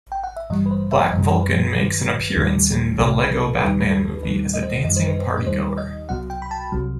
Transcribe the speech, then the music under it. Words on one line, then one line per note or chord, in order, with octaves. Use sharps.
Black Vulcan makes an appearance in "The Lego Batman Movie" as a dancing partygoer.
G5
F#5
E5
G2 E3 G3 D#5
B4
C5
E5
F#2 E3 G3 D#5
B4
G2 D#3 F#3
D#2 D#3 G3
C2 C3 F#3 A4
B4
A4
D#2 D#3 G3 B4
B4
A4
D#2 D#3 G3 B4
D#5
C5
D#5
F#2 D#3 G3 D#5
C5
B4
C5
D#5
D#2 D#3 G3 C5
D#5
C2 B2 F#3 F#5
G5
B5
A5
C2 C3 F#3